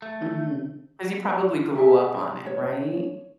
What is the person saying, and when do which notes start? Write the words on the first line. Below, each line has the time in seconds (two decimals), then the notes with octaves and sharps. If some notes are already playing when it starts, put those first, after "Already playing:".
Mhm. 'Cause you probably grew up on it, right?
0.02 A3
1.75 G4 G#4 E5 G#5
2.46 C#5